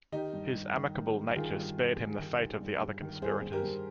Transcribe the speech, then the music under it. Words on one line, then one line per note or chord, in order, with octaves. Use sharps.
His amicable nature spared him the fate of the other conspirators.
D#3 D#4 G4
G2
G2
D#3
D#3
G2
D#3 F4 G#4
G2
G2
G2
D#3
D#3
G2
G2
D#3
G2 G#4 C5
G2
G4 A#4
G2